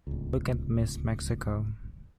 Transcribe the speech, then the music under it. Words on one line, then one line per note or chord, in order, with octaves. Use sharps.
Look at Miss Mexico.
D1 C#2